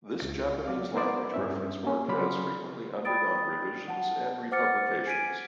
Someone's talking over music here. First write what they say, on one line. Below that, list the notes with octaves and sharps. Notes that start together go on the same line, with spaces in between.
This Japanese language reference work has frequently undergone revisions and republications.
C#2
F#3 D5 F5
B3 E4 A#4 C5 D5
G2 C#4 E5
A#3 C#4
C#3 F#3 D5 B5 C6 F6
D5 G5 B5 D#6 A6 D7
F#5 A5
C5 F#5 D6 F6 A6 C#7
G#5 G#6 B6 D7 D#7